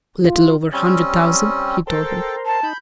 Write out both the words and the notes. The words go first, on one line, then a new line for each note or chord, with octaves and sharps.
"A little over a hundred thousand," he told her.
F4
G3 C4 C#4
A4 A#4 C5 G5 A5
A5
D#4 B5 G6